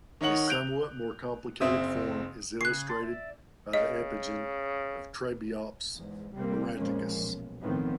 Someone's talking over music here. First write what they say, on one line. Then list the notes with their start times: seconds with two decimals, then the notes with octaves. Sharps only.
A somewhat more complicated form is illustrated by the epigyne of "Trabeops aurantiacus".
0.21 D#3 D#4 C#5 F#5 F#7
0.48 F#6 G6 D7 F7
1.61 F#1 C4 E5 D#6
2.61 C#3 G#4 C#6 F#6 C7
2.89 A5 C6
3.02 D5 E5
3.73 C#3 D#5
5.95 E2 G#2
6.35 C3 G3 A#3 C4
6.76 F2 A#2 F3 G#3 A#3 C#4
7.21 B1
7.62 A2 D#3 F3 B3 C4